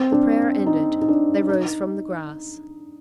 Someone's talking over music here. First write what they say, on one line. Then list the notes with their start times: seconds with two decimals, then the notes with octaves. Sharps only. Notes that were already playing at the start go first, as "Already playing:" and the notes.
The prayer ended, they rose from the grass.
Already playing: C4
0.12 D4
0.66 D#4
1.01 D#4
1.08 D4
1.49 D#4